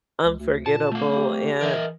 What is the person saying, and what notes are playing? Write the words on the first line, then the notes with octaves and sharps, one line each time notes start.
unforgettable, and
C#2
D2
A#2 A5
A3 F5
G4
E3 A#4 D#5 E5